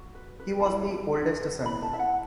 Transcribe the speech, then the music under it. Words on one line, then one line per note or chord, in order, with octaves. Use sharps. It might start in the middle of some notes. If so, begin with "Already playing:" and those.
He was the oldest son.
Already playing: F#4
B4
B4
A5
E4 B5
E4
A4
A4
E4 B5
A5
E4 E5
F#5